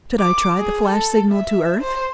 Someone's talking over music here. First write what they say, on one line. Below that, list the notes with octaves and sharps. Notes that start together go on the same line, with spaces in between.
Should I try the flash signal to Earth?
D6
G#4
A4
E5
C5